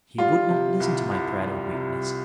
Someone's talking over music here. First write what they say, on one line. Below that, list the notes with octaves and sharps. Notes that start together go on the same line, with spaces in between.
He would not listen to my prayer of weakness.
G3 F4
C3
C2
C2
G3
C3